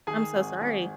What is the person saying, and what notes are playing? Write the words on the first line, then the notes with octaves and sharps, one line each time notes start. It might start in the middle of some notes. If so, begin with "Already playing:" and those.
I'm so sorry.
D#3 G#4 G#5
G#1
G#1